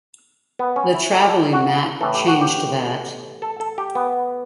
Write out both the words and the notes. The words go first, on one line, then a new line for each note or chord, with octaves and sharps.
The traveling matte changed that.
B3
C#4
E4
A4
G4
A4
F#4
A2 E3 A4
G4
F#4
G4
A4
A4
G4
B3